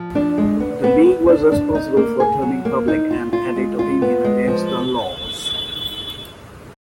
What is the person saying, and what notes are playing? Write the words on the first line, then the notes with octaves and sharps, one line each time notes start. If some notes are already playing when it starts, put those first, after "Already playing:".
The League was responsible for turning public and elite opinion against the laws.
Already playing: F3
D4
G#3
B3
B3
B3
D4
D4
D#4
A#3
G#4
F#3
A#3
D#4
F4
F4
G#3
F4
B3
G#3
F3